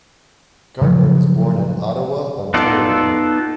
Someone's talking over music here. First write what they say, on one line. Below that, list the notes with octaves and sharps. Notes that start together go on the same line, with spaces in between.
Gartner was born in Ottawa, Ontario.
C#3 F3 F#3
B3 D#4 F4 A4 D5